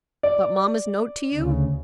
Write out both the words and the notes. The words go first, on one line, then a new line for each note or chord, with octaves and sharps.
"But mamma's note to you?"
D5
D2 C#3